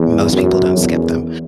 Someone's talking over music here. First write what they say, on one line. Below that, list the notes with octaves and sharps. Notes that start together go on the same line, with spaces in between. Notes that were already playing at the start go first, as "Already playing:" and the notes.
most people don't skip them,
Already playing: E2
F#2
E2